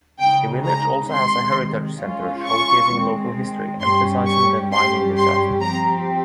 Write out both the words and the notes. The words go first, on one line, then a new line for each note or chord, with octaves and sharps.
The village also has a heritage centre showcasing local history, emphasizing the mining disaster.
C#3 G#3 D#4 G5
A#5
C3 D#3 G#3 C6
G#3 C#4 F4
C#6
D#3 G#3 C4
G2 G3 C#4 G4 C6
C#6
G2 G3 C#4 G4 C6
C6
F3 C4 G4 A#5